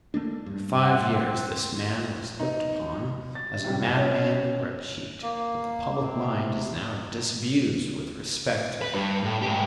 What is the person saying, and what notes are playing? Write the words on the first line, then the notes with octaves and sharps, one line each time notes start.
For five years this man was looked upon as a madman or a cheat; but the public mind is now disabused with respect to him.
A3 A#3 D4
G2
F#5
C4
D#4
A6
A2 C3 G3
C#4
A#3
C3
B4
G2
A2
G#2 G4